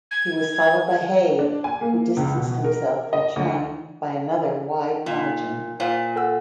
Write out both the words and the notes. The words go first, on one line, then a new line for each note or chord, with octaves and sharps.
He was followed by Hei who distanced himself from Chang by another wide margin.
G#6
D4
G#5
A#3
C#2
B2
A#4
D#5
D2
A#2 D#4
A#2 C5 F#5
A4 F#5 E6